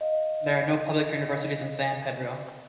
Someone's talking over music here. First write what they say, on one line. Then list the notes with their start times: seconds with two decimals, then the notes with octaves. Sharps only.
There are no public universities in San Pedro.
0.01 D#5 F5